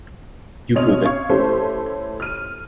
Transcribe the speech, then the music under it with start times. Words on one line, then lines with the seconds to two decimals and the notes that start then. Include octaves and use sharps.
You prove it.
0.75 B2 C4 C#5 D#5 F6 F7
1.04 C#4 F5 C#6 G#6
1.29 A3 C#4 E4 G4 A4 C5
2.20 F6 D#7